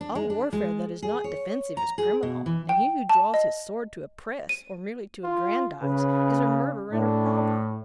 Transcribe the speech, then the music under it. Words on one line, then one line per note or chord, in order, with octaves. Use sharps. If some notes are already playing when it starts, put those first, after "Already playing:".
All warfare that is not defensive is criminal; and he who draws his sword to oppress, or merely to aggrandize, is a murderer and a robber.
D4
G#3
D4
G#3
G#4
C#5
A#5
G#4
B2
E3
G5
A5
D#5
D#7
F4
C#3 B4
A2 D4